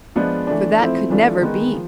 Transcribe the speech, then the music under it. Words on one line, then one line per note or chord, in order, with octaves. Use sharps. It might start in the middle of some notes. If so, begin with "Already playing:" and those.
For that could never be.
F3 G#3 B3 D4 F4
E3 A3 D4
F3 A3 C4 E4
E3 A3 D4 F4
D#3 G#3 B3
F3